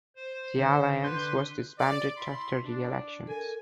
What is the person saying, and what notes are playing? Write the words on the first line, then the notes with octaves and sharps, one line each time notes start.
The alliance was disbanded after the elections.
C5
D3
D3 B4 C6 G6
D5
E4 B5 C6
D4
A4 A#4 G#5